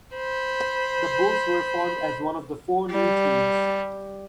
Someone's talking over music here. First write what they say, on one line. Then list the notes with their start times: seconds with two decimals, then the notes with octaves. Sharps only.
The Bulls were formed as one of the four new teams.
0.16 C5 B5
2.91 G3